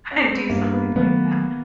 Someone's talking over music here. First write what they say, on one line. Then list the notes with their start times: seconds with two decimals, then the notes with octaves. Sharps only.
and do something like that.
0.11 C#4
0.24 C4
0.37 B3
0.50 G2 A#3
0.73 B3
0.96 D#3 F#3 A3 B3